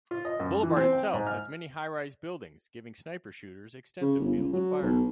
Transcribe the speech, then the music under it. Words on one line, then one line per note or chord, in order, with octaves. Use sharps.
The boulevard itself has many high-rise buildings giving sniper shooters extensive fields of fire.
F4
D#5
F#2
E3
C4
G5
G#2
F6
C#3
G1
C#2
F#3
B1